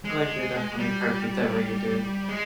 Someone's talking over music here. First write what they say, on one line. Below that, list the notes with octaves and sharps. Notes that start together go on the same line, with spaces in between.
I like you're definitely perfect the way you do.
G#3
G3
G#3